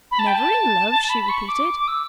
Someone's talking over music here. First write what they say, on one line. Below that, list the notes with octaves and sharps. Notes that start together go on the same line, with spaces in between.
"Never in love!" she repeated.
B5
A5
G5
A5
B5
C#6
D6
D6
E6